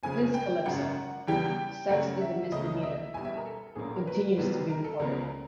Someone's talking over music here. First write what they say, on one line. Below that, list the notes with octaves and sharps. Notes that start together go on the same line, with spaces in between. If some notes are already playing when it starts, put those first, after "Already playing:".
His calypso, "Sex is a Misdemeanor", continues to be recorded.
F#1 F2 C#3 F3 G#5
G5
G#1 F#2 C#3 F#5
E2 C#3 E3 G3 G5
F#2 C#3 F#3 A3 F#5
E5
C#2 C#3 F#3 A3 D#5
E5
E2 B2 G3 G#5
E5
A#4
A4
A#1 A2 F#3 A#3 G#4
A#4
B4
C2 C3 E3 G#3 B3
A#4
A4
C#2 C#3 F3 G#3 B3 A#4